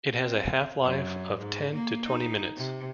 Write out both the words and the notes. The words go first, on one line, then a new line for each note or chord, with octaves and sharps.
It has a half life of ten to twenty minutes.
C4
F#2
G#2
A#3
D#4
C3